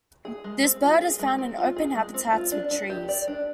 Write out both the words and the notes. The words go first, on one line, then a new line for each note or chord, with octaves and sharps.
This bird is found in open habitats with trees.
G#4
G#3
C4
F4
G#4
G#3
C4
F4
G#4
G#3
C4
F4
D4
D4
G4
D5
D4